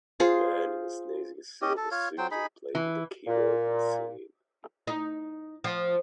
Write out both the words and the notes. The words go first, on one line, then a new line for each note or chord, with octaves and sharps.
A man in a snazzy silver suit is playing the keyboard and singing.
F4 G#4 C5
C#4 G4 D#5
A4
F4 C#5
F#3 C5 G5
D#4 G#4 B5
E3
A#2
D#4
F3